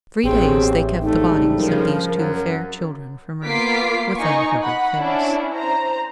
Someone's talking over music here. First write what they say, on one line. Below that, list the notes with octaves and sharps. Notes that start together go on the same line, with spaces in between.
Three days they kept the bodies of these two fair children from earth, with uncovered face.
A1 B2 C4 C#4 G4 G#4
G#2 D3 G3 A3 D#4
C#3 F3 A#4
F#2
A#3 B3 F4 D6 B6 C7
D#4 G#5 C#6
F#5 B5
C#4 D4 E4
C5 A#5